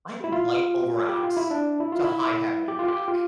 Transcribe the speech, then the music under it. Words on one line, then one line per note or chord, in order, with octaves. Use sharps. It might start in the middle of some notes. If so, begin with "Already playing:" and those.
I think Light overacts to high heaven and back.
E4
F4
G4
F4
E4
D4
E4
F4
E4
G4
F4
G4
F4